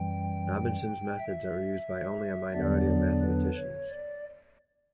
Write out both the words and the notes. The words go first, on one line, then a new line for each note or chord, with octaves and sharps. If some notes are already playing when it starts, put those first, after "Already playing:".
Robinson's methods are used by only a minority of mathematicians.
Already playing: F#2 E3 G3 G5
E5
E2 D3 F#3 B3 D4 D5
B4
C#5
D5